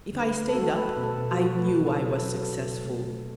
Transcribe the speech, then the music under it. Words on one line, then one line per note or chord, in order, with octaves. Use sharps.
If I stayed up I knew I was successful.
D3
B4
A3
A4
A3 F#4
A4
A3 B4
B2
A4
B2
F#4
F#3
A3 B4
B2
A4
B2
B4
F#3
B2 A4
B2
A3
A3